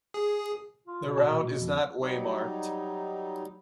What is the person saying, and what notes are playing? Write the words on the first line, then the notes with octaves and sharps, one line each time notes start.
The route is not waymarked.
G#4
F4
B2
A#2 D#5 A5
F2
F#3 G3 D#4